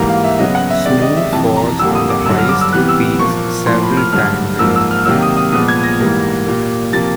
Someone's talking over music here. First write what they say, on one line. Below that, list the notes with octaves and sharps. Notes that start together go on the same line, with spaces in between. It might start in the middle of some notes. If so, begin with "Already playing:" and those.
Snow falls on the highest peaks several times a year.
Already playing: G#2 E3 G3 A#3 A#5
F5
E5
C#3 F#3 B3 D#5
F#5
E5
C3 D#3 G#3 D5
D#5
E5
F2 C3 E3 G3 A5
A#5
F2 D3 G3 A#3 E6
D#6
D6
G2 D3 F#3 E6
F6
D6
E6
C3 E3 G3 B3 F#6
E6
A#2 F3 A#3 C#6
A2 F3 A#3 C6
B5
F6
G2 D3 F#3 A3 F6
G#2 F3 A#3 E6
E6
F6
C3 D#3 F#3 A#3 E6
D#6
D#6
A#2 F3 G#3 B3 D#6
G#6
A#6
G#2 E3 G3 A#3
A#2 G3 A#3
C3 F3 A#3 A6